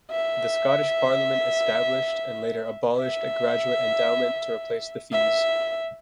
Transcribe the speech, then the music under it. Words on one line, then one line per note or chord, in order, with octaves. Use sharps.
The Scottish Parliament established, and later abolished a graduate endowment to replace the fees.
E5
E5
E5